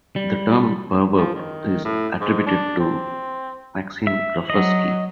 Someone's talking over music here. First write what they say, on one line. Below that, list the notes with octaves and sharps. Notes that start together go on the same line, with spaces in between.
The term perverb is attributed to Maxine Groffsky.
G3
F3
D#3
A2
G#2
D4
C4
E5
F#3 D#5